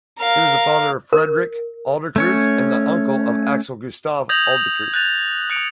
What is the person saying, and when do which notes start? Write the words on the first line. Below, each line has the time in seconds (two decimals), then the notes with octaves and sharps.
He was the father of Fredrik Adlercreutz and uncle of Axel Gustav Adlercreutz.
0.19 A#4 F5
1.13 A#4
2.16 A3 C#4 C#5
4.29 D#6 G6 G#6 A#6 F7 F#7
4.94 F#6 G6 A6 F7
5.50 F#6 C#7 D7 F7